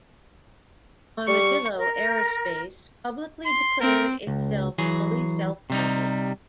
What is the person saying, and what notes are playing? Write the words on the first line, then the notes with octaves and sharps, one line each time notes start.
Armadillo Aerospace publicly declared itself fully self-funded.
G3 C#6
A#4
C6
C4 A#4
C#2
E3 F#3 G#4
C3 G3 D#4